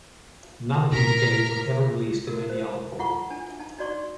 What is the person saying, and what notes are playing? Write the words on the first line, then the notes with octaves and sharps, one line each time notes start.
None of these games were ever released in any other form.
A#2 C#3 A#4 A#5 F6 B6
F#4 A4 A#4
C5
E4 F4 F#5 C#6
D4 G#5 A5
D#4 A5
D#4 F#4 D5 C6 C#6